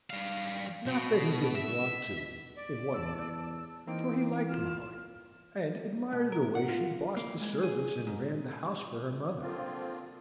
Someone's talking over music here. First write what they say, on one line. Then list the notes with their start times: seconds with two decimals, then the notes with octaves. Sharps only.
Not that he didn't want to, in one way; for he liked Molly, and admired the way she bossed the servants and ran the house for her mother.
0.10 G2 F5
0.86 B2
1.55 E5
2.56 D5
2.94 E2 A5 E6
3.87 E3 A#3 C4 D#4 G5
4.49 F4 F6 E7
6.13 B2
6.32 A#4
6.55 F#5
6.68 F4
7.17 A#3
7.41 G#3
7.63 G#4
8.07 G#2
9.41 D3 F3 A#3 C4 F4